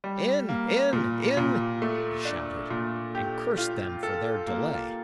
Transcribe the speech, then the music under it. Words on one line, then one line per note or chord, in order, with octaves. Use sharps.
"In, in, in!" he shouted, and cursed them for their delay.
G3
A#3
A#2
A#2
A3
D4
A#2
G4
F4
A4
A#3